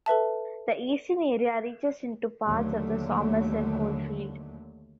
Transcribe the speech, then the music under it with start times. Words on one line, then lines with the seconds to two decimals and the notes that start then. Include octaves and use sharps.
The eastern area reaches into parts of the Somerset Coalfield.
0.06 A4 B4 E5 A5
2.46 D#2 D3 F#3 A3